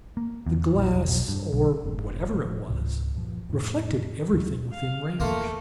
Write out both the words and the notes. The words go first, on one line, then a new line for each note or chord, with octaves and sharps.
The glass, or whatever it was, reflected everything within range.
A#3
E2
A#1
F1
B1
G2
B1
F1 G#2
D#1 A2 F3
C#2 G#2 C3
G2 A#2 F3
F2 A2
D#2 F#3
F5
E2 A3 A#3 F4